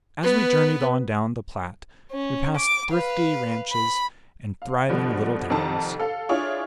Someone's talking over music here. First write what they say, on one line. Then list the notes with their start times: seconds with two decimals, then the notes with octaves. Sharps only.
As we journeyed on down the Platte, we passed thrifty ranches and thriving little towns.
0.23 B3 B4
2.11 C#4
2.57 D6
2.92 B4 F5
3.72 B5
4.62 F5
4.89 G2 B2 D3 F3
5.50 C2 F2 D#3 A4 A5 A#5
6.00 A4 F5
6.29 D4 E4 F4 G#4 C#5